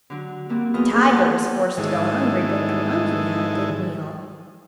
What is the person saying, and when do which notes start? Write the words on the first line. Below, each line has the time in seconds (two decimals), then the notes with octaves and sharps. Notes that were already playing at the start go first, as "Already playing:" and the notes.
The tiger was forced to go hungry but the monkey had a good meal.
0.10 D3 F#3
0.49 F#3 G3 A#3 C4 F#4
0.74 E2 F3 F#3 B3 D#5 F6
0.91 A#3 B3 D4 G#4 A4
1.09 F4 D#5 F#5 G5 A5
1.78 G#2 D#3 E3 G#3 A4